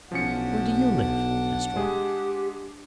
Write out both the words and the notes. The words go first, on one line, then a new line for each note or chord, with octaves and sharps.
"Where do you live?" asked Robin.
B1 F3 C#4 D4 F#5 C#7
G#3 G4 G#4